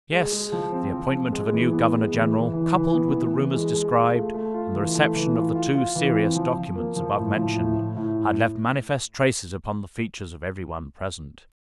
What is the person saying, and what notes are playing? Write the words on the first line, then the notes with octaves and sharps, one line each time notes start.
Yes, the appointment of a new Governor-General, coupled with the rumours described and the reception of the two serious documents above-mentioned, had left manifest traces upon the features of every one present.
G#3
G#3
F3
C4
F3
C4
G#3
E3
B3
G#3
E3
E3
E3
E3
B3
E3
E3
G#3
G#3
F4
A3
A3
F4
E3
A3
E3
F4
F4
F4
E3
C4
F3
F3
A#3
F3
A2
F3
A2
A2
A2